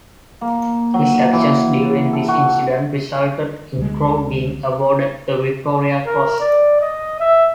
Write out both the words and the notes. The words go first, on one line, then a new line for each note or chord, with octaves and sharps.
His actions during this incident resulted in Crowe being awarded the Victoria Cross.
A#3
F#3
E3
A4
F#4
D2 G#3
A#4
D5
D#5
E5